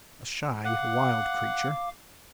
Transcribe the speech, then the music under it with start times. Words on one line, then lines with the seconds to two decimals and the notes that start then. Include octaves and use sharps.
A shy, wild creature.
0.65 F5 F#5 D6